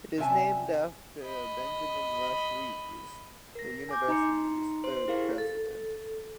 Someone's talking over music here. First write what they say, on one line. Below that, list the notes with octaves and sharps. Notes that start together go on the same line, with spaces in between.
It is named after Benjamin Rush Rhees, the university's third president.
C3 G3 C#4 E5 G#5 A5
D#5 B5
A#4 A#6
G#5 D6 G6
D#4 D#5 A#5 C6 C#7
C5 C6
E4 G4 G#4 A#4 F5
A4